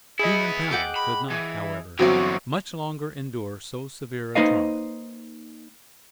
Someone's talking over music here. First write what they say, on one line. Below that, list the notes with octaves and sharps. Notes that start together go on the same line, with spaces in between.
Human power could not, however, much longer endure so severe a trial.
B3 E4 G#4 D#5
F#5 G5 D6
B5
E3
G1 D3 E3 F#3 C4 F#4 F5
A#3 D#4 B4 C5 D#5 F5